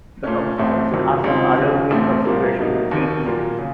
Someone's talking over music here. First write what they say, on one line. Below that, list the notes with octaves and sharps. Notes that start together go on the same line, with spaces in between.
The compound has a paddlewheel configuration with D symmetry.
A#2 A3 C#4
A1 A2 A3 C4
F#1 F2 C3 D#3 F#3
C#2 C#3 F3 C4 D#4
D#2 C#3 F3
A1 A2 A3 C4
C2 A#2 F3 A#3
A2 F#3 A#3 D#4
F1 D#2 D#3
A#2 F#3 A#3
C#3